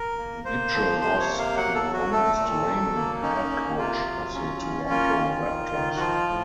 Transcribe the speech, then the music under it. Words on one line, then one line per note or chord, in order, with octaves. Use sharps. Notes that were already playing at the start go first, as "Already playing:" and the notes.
Mitchell was the longest reigning head coach of the Toronto Raptors.
Already playing: A#4
A#3
A#3 C5
F3
C3 C5
C#5
A#3
F5
F#3 F#5
A4
F#3
F#4
A3 A4
A#2
F#3
A#3
C#4 D#4
A#3
C3 F4
F#3
C#4
C#4
A#3 F4
D#3
D#3
D#3
F#4
F3 F4
A2